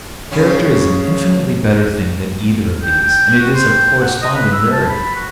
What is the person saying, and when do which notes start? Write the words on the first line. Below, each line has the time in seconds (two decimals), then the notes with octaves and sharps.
Character is an infinitely better thing than either of these, and it is of corresponding rarity.
0.31 F#2 C#3 C#4
2.82 G5
3.03 G5
3.39 F#4
3.53 C5
3.69 G5
4.01 F#5
4.22 D#5
4.35 B4
4.52 E6
4.72 A5
4.89 B5
5.15 F#4